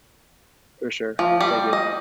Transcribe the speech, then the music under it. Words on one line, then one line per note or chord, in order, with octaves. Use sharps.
For sure. Thank you.
F3
G3
D#5